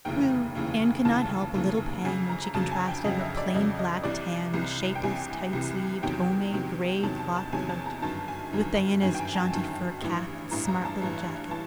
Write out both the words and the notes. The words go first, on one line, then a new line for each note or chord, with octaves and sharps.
True, Anne could not help a little pang when she contrasted her plain black tam and shapeless, tight-sleeved, homemade gray-cloth coat with Diana's jaunty fur cap and smart little jacket.
F1 D#2 C#3 E3 G5
F1 D#2 C#3 E3
F1 D#2 C#3 E3 A5
F1 D#2 C#3 E3
F2 C#3 F#3 G#5
A#5
F2 C#3 F#3 A5
G#5
G5
F2 C#3 F#3 D#5
E5
D5
F2 C#3 F#3 D#5
D#5
C2 C3 E3 D5
C2 C3 E3
G5
C2 C3 E3 G#5
C2 C3 E3
E2 C3 D#3 F#3 G5
E2 C3 D#3 F#3
E2 C3 D#3 F#3 A5
A5
A5
E2 C3 D#3 F#3 G#5
A5
A#5
G1 F#2 D#3 A5
G#5
G1 F#2 D#3
G1 F#2 D#3 G#5
G5
G#5
A5
G1 F#2 D#3
A1 G2 E3
A1 G2 E3 A#5
A#5
A5
A1 G2 E3
E3 A5